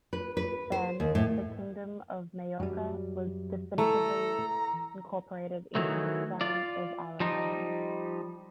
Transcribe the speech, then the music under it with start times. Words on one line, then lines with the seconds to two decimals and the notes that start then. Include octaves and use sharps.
Then, the Kingdom of Majorca was definitively incorporated into the Crown of Aragon.
0.13 B4
0.37 B4
0.72 C5
1.00 D#2
1.15 A2
2.60 F#2 G3
3.78 E3 A3 A4 A#5
5.75 D#3 E3 F#3 A3
6.41 F4 D5
7.20 F3 G3 D#4